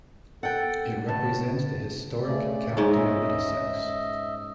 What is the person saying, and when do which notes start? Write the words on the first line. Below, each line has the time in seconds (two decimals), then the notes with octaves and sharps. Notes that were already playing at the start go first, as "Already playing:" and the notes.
It represents the historic county of Middlesex.
0.43 A4 F#5 G5
1.08 A2 A5
2.22 C#3 A3 D5
2.77 G#2 C#4
2.91 D#5 E5